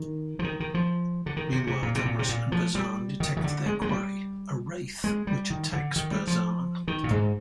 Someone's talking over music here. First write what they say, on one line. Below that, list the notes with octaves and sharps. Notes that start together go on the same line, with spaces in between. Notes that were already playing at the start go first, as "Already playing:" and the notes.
Meanwhile, Damrus and Burzaan detect their quarry, a "Wraith" which attacks Burzaan.
Already playing: D#3
F3
D#3
D#3
F3
D3
D#3
C3
C3
A#2
C3
A#2
C3
A#2
F3
G3
D#3
D#3
D3
G#3
G#3
G3
G#3
G3
D#3
D3
D#3
G3
F3
D#3
A#2
G#2